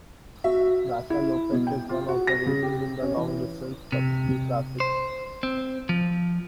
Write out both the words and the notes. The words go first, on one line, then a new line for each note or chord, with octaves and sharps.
Vasaloppet is one of the races in the long distance cup Ski Classics.
F#4 E5
E4
B2
G5
F4
F#4
A#6
C#3
G4
C#4
E3
C3
C5
C4
F3